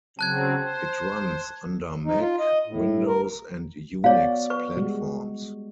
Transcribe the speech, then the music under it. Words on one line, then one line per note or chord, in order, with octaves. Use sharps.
It runs under Mac, Windows, and Unix platforms.
C#3 F#3 C4 A5 F#6 G#6
C5
D#4
F4
D#5
A2
A#4
B3 F#4 C#5 D5 F5
B4 C#6
G3 G#3 F#4